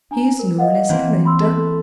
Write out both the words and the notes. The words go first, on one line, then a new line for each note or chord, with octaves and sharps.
"He is known as a collector?"
D4 G#5 A#5
A#4 C5
D#5 F5 F#5
E3 A#3 C4
B5 C6 E6
A4 B4